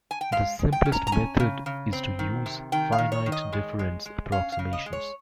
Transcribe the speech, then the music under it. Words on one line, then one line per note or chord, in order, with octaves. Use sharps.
The simplest method is to use finite difference approximations.
G#5
G5
G#3 F5
G#3
G5
C#4
A#5
A#5
C#4 G#5
C#3
C#3
C4
D#3
C3
D#3 G5
F5
D#3
C#5
D#3
D#5
G#3
G#3
G#3
C#4 F5
F5
C#3
D#5
G#3
C#5